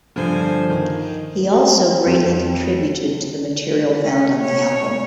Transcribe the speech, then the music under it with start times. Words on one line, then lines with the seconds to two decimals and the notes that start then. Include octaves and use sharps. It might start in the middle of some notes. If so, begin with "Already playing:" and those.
He also greatly contributed to the material found on the album.
0.16 G2 D3 F3 C5 G#5
0.70 D#3
2.06 F2
4.03 C#4
4.41 C#5